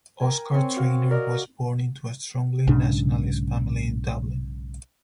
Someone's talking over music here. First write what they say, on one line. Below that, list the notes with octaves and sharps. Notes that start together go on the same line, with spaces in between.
Oscar Traynor was born into a strongly nationalist family in Dublin.
A#4 G5 G#5
C4 C#5 G#5 C#6
F#4 F5
A#4 D5 D#5
B1 G#2 C#3 D4